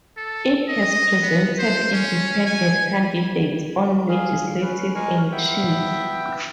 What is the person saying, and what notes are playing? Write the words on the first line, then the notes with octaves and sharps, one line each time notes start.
It has presented independent candidates on legislative elections.
A4
D#5
B3
C5
C#4
G#5
G#4 F5
C#4 B4
G#3 A#4 G#5 C#6
B3 E5 G5